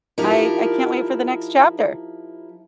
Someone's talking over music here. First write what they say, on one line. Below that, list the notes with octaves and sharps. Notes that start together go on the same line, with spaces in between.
I I can't wait for the next chapter.
F3 D#4 E4 G4 A#4